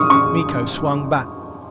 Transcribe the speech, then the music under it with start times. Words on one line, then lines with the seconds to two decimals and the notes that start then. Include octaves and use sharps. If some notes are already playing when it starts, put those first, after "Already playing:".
Miko swung back.
Already playing: C#6 D#6 F6
0.10 C#6